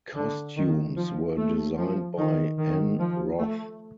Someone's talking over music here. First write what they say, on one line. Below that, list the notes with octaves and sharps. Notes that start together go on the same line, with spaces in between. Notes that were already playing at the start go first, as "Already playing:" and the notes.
Costumes were designed by Ann Roth.
D3
D#3
F3
A3
F3
D#3
D#3
F3
A3